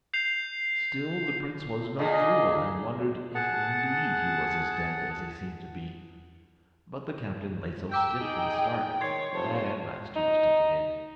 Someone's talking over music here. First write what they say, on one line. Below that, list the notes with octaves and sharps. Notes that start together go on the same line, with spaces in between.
Still, the prince was no fool, and wondered if indeed he was as dead as he seemed to be; but the captain lay so stiff and stark, that at last he was taken in.
G6 C7 F7
A#2 D3 G#4 D#5
G#4 F#5 A5
G5 A#5 D6 E6 G6
D#4 G#4
D#3 C#5 C6 G#6 C7
F1 C5 C#5 A5
D#4